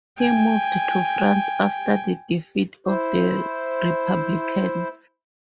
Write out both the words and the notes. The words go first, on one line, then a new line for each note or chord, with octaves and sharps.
He moved to France after the defeat of the Republicans.
G5 G#5
E4 C5